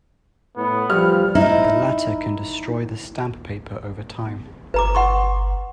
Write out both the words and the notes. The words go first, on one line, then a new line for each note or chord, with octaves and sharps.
The latter can destroy the stamp paper over time.
A2 B3
F3 G3 F6
D#4 E4
G1 B4 A#5 D6
F#5 C6 C#6